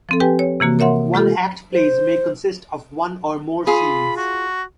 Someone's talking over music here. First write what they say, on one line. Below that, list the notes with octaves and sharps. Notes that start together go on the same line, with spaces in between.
One-act plays may consist of one or more scenes.
F3 C4 A4
G4 B4 G5 G#5
C#5
C3 E3 A#3 F#4
A#4 C#5 E5 F#5 C6
G#3 F4 G4 A4
C5
F4 G#4 B5
F#4